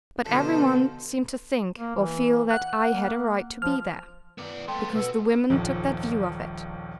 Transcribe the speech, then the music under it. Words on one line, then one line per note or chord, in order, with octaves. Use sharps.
But every one seemed to think, or feel, that I had a right to be there; because the women took that view of it.
B2 D3 F3 A4
A#3
E3
F#5 F#6
A#3
F3 F6
B3 D5
A3 B3 G5 A5 C6
B2 F#4 B4 E6
D#1 A#1 D#2 F3